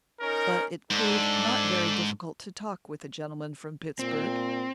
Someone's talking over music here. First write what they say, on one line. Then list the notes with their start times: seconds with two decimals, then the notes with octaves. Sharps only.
But it proved not very difficult to talk with the gentleman from Pittsburg.
0.21 C#4 D#4 A#4
0.91 G#2 D4 A4
3.99 A#2 C4